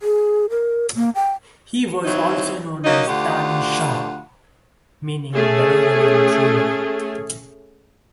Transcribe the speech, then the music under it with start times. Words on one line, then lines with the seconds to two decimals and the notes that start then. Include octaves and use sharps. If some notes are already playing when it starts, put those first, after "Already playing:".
He was also known as Tani Shah, meaning "benevolent ruler".
0.01 G#4
0.50 A#4
0.95 A#3
1.15 G5
2.05 D#3 F#3 C4 D#4 E4
2.84 F#3 A#3 C#4 D#4
3.08 D2 D3 F4 G4 F#5
5.34 A3 C#4 G#4